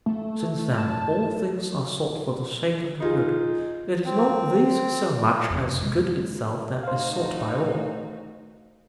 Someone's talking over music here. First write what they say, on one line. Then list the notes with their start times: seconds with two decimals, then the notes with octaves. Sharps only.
Since, then, all things are sought for the sake of the good, it is not these so much as good itself that is sought by all.
0.06 A3
0.78 A5
3.00 D#4 F4 G#4
4.05 C4
5.50 F2 C3
5.80 G#3 A#3
6.83 A3 D#4 F#4 C5 F5